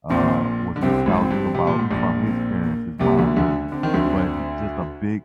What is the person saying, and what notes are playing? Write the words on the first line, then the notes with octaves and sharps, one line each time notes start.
uh, was nostalgic about from his parents, his mom maybe, but he just a big
A#1 A#2 C4
D3
C2 C3 C4
G#1 G#2
C4
G2
C3
A#2
G#2
A#1 A#2
C4
A#3
C2 C3 A#3
D2 D3
D2 D3
D3 C4
D#3
D2 D3